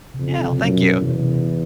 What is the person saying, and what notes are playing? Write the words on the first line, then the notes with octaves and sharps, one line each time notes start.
Yeah, well, thank you.
C3
F2 C#3
C3
F#2 B2
B2
E2 C3